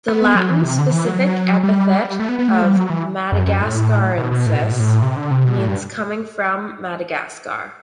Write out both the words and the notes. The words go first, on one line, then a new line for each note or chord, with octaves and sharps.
The Latin specific epithet of "madagascariensis" means coming from Madagascar.
B3
B3
F#3
E3
C3
D3
E3
F#3
G3
A3
B3
B3
A3
G3
F#3
E3
F#2
F#2
A2
B2
B2
A2
B2
A2
B2
A2
C3
D3
C3
B2
A2
G2